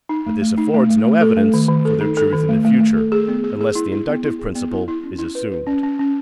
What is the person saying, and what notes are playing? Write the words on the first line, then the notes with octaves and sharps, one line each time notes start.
But this affords no evidence for their truth in the future, unless the inductive principle is assumed.
D#4
A3
A3
D#4
A3
A3
A3
A4
A3
D#3
D#3
A4
D#4
A4
D#3
A3
A3
A3
A4
G#4
B3
G#4
G#4
E4
E4
B3
E4
G#4
B3
E4
E4
C#4
E4
B4
B4
C#4
C#4
C#4